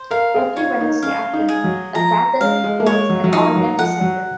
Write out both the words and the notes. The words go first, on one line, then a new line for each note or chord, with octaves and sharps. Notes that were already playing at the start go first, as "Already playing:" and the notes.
Every Wednesday afternoon, the cathedral holds an organ recital.
Already playing: C5
A#4 F5
G#4
F4 C#5
D#4
C#4 F5
D#4
G#4
F#3
F3 A#5
G#3 F5
G#3
A#3
G#3 C#5
F#3
F#3
F3 D#4
F#3
F3 F#5
F#3